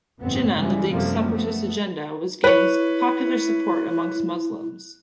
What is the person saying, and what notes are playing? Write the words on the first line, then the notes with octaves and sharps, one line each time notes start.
Jinnah and the League's separatist agenda was gaining popular support amongst Muslims.
G1 F2 A2 B3 C4
C#3 E3 G3 G#3
F#2 C3 F3 G3 A3 A#3
A3 B3
E4 B4 C#5